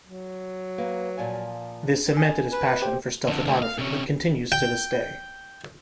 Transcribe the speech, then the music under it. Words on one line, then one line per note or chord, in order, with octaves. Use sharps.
This cemented his passion for still photography that continues to this day.
F#3
A#3 B4
A#2 F3 G#5
G#5
B4
G4 C5 G5
F2 D3
D2
F5
C3 C#4
G5